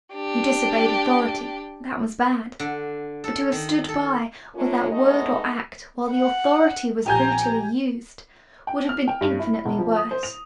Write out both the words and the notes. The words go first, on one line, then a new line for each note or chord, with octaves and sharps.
You disobeyed authority--that was bad; but to have stood by, without word or act, while the authority was brutally used, would have been infinitely worse.
D4 G4
D3
A4
D#3
A4
A3 A#3 C#4 D4 F4 A#4
G#3 A3 B3 D#4 D#5
F#5
A#1 G4 G#5 A#5 G6
G5
F6
G5
G2
E4
E1
F3
D#6
C5
F7